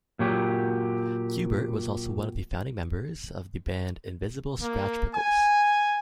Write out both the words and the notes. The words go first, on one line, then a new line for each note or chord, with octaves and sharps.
Qbert was also one of the founding members of the band Invisibl Skratch Piklz.
A#2 F#3 G4
A#3
G#5